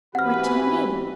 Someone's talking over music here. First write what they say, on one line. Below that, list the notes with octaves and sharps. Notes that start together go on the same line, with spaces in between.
What do you mean?
G#2 E3 C4 F#4 G4 B4 F#5 F6